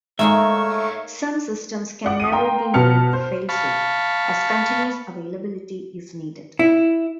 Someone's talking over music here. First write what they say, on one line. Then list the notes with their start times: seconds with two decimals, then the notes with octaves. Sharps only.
Some systems can never be made fail safe, as continuous availability is needed.
0.19 G#2 A3 A#3 D#4 G#4 A#4 C#5 E5
2.04 D5 F#5 D6
2.20 D#6 D#7
2.32 F5 G5 A#5 C6
2.74 B2 B4 A5 F6 C#7
3.13 C5
3.49 F5 A5 B5 C#6
6.59 E4